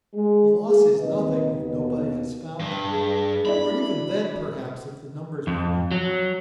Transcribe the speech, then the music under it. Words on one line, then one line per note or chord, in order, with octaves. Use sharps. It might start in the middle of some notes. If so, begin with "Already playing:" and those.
The loss is nothing, if nobody has found them; nor even then, perhaps, if the numbers be known.
G#3
G#4
D#2 D#3 C4 B4 D#5
D#2 B2
G2
G#4
D4 E4 D5 B5
F#4
F2
F#3